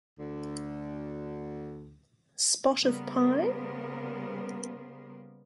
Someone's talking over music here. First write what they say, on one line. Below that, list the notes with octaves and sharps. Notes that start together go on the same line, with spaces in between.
Spot of pie?
D2 D3
C#3 G3 A#3 B3 A#4 C5